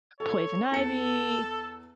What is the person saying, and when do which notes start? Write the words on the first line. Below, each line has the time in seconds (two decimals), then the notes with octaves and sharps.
poison ivy,
0.20 A4 C#5
0.71 E2 A4 C#7